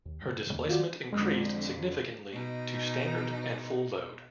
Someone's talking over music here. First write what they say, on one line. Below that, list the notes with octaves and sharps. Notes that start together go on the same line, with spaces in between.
Her displacement increased significantly, to standard and full load.
D#2
G2 C#3
E2 D3 A#3
D#3 F4 F#4 D5
F2 D3 G#3
B2 D#4